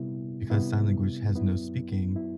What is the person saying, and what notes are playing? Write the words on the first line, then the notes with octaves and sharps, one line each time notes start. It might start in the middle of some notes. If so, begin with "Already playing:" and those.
because sign language has no speaking,
Already playing: C3 G3 B3 E4
C3 G3 B3 E4
F#2 F#3 B3 E4
F#3 B3 E4